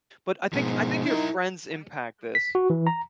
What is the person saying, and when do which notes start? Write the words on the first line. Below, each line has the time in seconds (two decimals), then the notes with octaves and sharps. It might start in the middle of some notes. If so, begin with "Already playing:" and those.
But, I think I think your friends impact this.
0.53 G#2 B2 F3
1.06 D#4 E4 A#4
2.35 B6
2.55 F#4
2.70 E3
2.87 A#5